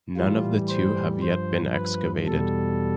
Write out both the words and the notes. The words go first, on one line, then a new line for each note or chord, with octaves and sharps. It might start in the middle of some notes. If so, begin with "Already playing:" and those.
None of the two have yet been excavated.
A2 E3 G3 F4
C5
G2 F3 C5
B4
E2 B2 G3 A4